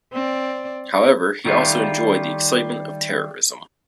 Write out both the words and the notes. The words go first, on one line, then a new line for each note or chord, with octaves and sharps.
However, he also enjoyed the excitement of terrorism.
C4 D5
D#3 G3 A3 F4